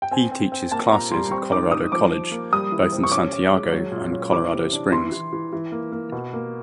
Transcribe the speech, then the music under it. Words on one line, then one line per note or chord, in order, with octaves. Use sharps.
He teaches classes at Colorado College both in Santiago, and Colorado Springs.
G5
C4 G#5
C4
C4
A#3 A5
A#2 A#5
G3 C6
C4 C#6
D#4 D6
D#4 D#6
F3 D6
F3
A#3
G3 D#6
E3
C3
C#6
C#4 D6
C#4
G#3
F#3
A#2
C#4
E3 D6
C3
D4
E3 C6
E3
E3
E3
A#3
A#3
B2
A#3